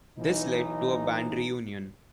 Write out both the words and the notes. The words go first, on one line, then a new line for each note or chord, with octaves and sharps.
This led to a band reunion.
B1 E3 D#4